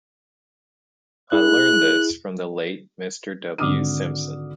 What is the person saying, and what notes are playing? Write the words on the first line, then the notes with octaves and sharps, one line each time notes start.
I learned this from the late Mr. W. Simpson.
E4 G#4 F#6
G#1 D3 D6 D#6 F6 D#7